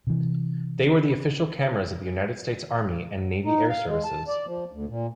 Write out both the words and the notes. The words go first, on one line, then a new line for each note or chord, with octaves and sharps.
They were the official cameras of the United States Army and Navy Air Services.
C3 E3
D#4
F5
G#3
A5
D5
F3
D2
A#2